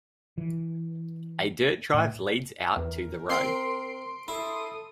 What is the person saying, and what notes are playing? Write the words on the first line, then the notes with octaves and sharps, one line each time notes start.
A dirt drive leads out to the road.
E3
A2
E2 A#4
C4 C6 C7 D7
E4 A4 D#6